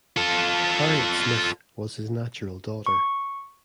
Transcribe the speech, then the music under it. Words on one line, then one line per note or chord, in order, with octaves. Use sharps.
Harriet Smith was his natural daughter.
F4 A4
C#6